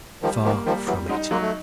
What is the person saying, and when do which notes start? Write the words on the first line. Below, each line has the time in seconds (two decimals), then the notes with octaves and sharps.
Far from it.
0.23 D#3 F3 G3
0.45 D#3 F3 A#3
0.66 D#3 F3 G3
0.87 E3 F#3 G3
1.09 F#3 G#3 D#4
1.30 F#3 G#3 A#3
1.42 A3